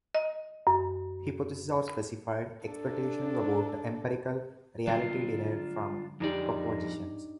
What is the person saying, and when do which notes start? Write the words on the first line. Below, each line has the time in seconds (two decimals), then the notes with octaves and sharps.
Hypotheses are specified expectations about empirical reality derived from propositions.
0.15 D#5
0.67 F#2
2.67 D4 A4
4.87 D3 F#3 G3 D4 F4
6.20 F2 G#3 D4 D#4 G4 D5